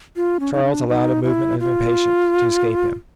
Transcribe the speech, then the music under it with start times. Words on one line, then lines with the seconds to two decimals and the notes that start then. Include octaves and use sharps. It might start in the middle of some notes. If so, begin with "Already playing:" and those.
Charles allowed a movement of impatience to escape him.
0.16 F4
0.40 C#4
0.53 D#4
0.64 D4
0.88 D#4
1.23 E4
1.60 F4